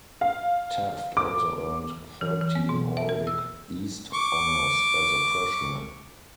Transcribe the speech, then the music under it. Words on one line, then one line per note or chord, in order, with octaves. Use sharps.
Taft also earned Third Team All Big East Honors as a Freshman.
F5
D6
E3
E3
B3
B2
E5
A#4
E6
C#6 D6